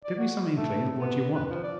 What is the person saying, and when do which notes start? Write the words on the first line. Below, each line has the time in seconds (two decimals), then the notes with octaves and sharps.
Give me some inkling of what you want.
0.04 D5
0.18 F#4
0.55 A3
0.98 B3
1.35 B4
1.50 F3
1.63 D5